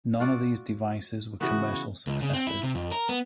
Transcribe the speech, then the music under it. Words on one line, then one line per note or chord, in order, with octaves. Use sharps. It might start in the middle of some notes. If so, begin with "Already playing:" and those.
None of these devices were commercial successes.
F4 F#4 D5
C#3 E3 B3 F#4
C#2
C#3
C4
E4
C3
F2
A#4
B3